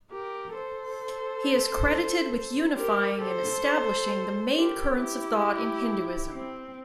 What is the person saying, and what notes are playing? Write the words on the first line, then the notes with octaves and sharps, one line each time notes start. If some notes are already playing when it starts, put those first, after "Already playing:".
He is credited with unifying and establishing the main currents of thought in Hinduism.
G4 A#4
A4 C5
G4 A#4
A4 C5
G4 A#4
E4 G4
C4